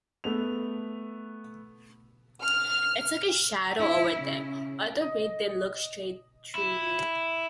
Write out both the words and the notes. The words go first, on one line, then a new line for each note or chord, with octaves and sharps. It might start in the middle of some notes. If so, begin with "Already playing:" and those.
It's like a shadow over them, or the way they look straight through you.
A3 B3 F7
F6
E4
C#3
D#5
E4